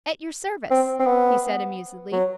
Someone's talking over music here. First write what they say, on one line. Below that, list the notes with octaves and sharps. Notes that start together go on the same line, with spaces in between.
"At your service," he said amusedly.
C4
C4
B3
F#3